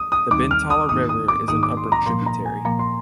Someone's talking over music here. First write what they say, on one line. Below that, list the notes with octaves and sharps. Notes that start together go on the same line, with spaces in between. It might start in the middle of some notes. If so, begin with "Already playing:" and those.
The Bentala River is an upper tributary.
Already playing: D#6
D#6
D#2 D#3 G3 C4 D#4 D6
F6
D#6
G#2 D#3 A#3 D#4 D#6
D#6
D6
G#2 D#3 A#3 D#4 D#6
D6
C6
A#5
A#2 F3 A#3 C6
A#5
G#5
A#2 F3 A#3 A#5
C6